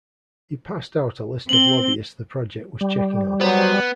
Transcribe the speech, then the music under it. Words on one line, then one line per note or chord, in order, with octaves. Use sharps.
He passed out a list of lobbyists the project was checking on.
C4 F#7 G7
G3
F#3 B3 C5